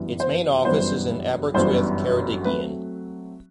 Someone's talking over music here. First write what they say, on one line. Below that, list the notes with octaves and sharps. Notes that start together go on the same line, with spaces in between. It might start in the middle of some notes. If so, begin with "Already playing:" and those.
Its main office is in Aberystwyth, Ceredigion.
Already playing: G1 F#2 E3 G3 B3
C5
G1 F#2 E3 G3 B3 C5
G1 F#2 E3 G3 B3 C5
F#3 A3 C4 B4